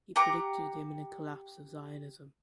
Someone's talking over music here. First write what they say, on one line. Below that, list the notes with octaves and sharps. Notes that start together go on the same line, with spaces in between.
He predicted the imminent collapse of Zionism.
G4 F#5 A#5 D6